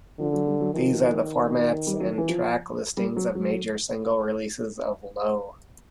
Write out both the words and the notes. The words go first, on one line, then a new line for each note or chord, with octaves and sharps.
These are the formats and track listings of major single-releases of "Low".
D3 F3
F#3
G3
F#3
D#3 F3
G3
F#3
E3
F3
G3
F#3
F#3